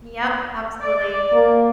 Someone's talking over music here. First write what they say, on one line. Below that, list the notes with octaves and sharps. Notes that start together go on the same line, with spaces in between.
Yep, absolutely.
D5
A#3